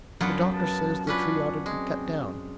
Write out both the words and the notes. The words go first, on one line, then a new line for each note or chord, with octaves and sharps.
"The doctor says the tree ought to be cut down."
F#2 F#3 B3 D4 F4
B4 A5
C#4 D4 F4 B4 F#5
G#3 C4